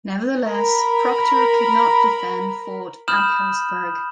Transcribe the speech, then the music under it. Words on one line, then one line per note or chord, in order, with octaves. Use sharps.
Nevertheless, Procter could not defend Fort Amherstburg.
A#4 B5
B5 D#6 F6 G6 E7 F#7